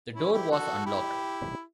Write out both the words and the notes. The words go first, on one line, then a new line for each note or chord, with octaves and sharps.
The door was unlocked.
C#4 E4
E4 G4
F#4 A4
E4 G4